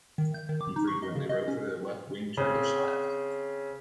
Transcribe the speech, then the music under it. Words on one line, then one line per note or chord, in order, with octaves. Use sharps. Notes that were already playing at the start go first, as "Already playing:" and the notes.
He frequently wrote for the left-wing Turkish Left.
D#3
G6
D#3
D6
D#4
C#6
D#5
C#3
D#5
C#4
C#3 C4